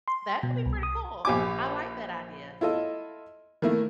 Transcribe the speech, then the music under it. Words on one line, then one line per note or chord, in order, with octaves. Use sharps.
That could be pretty cool. I like that idea.
C6
B2
C2
D#6
A#1 G4 G#5 D6
E4 F4 A4 D#5
D#3 A3 A#3 E4